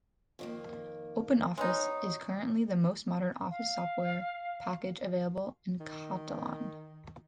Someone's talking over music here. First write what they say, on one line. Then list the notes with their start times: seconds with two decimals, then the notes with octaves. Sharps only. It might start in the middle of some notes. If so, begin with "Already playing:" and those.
OpenOffice is currently the most modern office software package available in Catalan.
0.39 F2 D#3 A#3
1.58 G#3 B3 D#4 C#5
3.50 F5
5.81 D#3